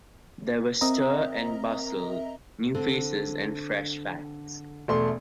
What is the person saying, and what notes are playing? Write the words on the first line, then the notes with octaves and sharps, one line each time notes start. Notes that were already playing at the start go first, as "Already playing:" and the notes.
There were stir and bustle, new faces, and fresh facts.
C4 A#4 D#5 E5 A#5
D3 C4 A4
E1 A3 C6